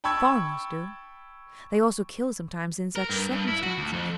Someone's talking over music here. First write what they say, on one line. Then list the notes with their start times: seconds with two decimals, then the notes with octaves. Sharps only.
Foreigners do; they also kill sometimes in such circumstances.
0.04 G5 A5 B5 C#6 E6 G#6
2.96 A#4
3.10 G2
3.31 G2
3.48 E4
3.63 F#4
3.77 D2
3.93 F2